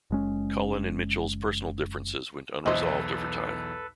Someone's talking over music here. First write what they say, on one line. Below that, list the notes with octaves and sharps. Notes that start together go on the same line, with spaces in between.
Cullen and Mitchell's personal differences went unresolved over time.
F#1 G#3 C#4
B1 E2 E4 A4 B4 C5 D#5